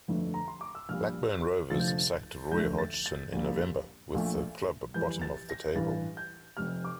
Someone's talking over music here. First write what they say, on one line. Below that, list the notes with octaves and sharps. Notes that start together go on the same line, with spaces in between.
Blackburn Rovers sacked Roy Hodgson in November, with the club bottom of the table.
G1 F2 D3 A3
A#5
C6
D6
E6
A#1 A#2 G3 F6
F1 F2 D3 F3 A3 A6
G6
A6
F2 D3 A3 G6
A6
A6
A#1 A#2 G3 A#3
A#1 A#2 A3
F2 E3 G3 G6
A6
A#6
A1 G2 E3 A6
G6
F1 F2 C3 F6
D6